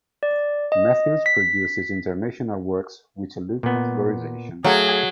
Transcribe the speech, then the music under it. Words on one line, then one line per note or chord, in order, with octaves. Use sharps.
Matthews produces international works which elude categorization.
D5
D#5
B6
A#2 B3
F#3 A3 G#4 F5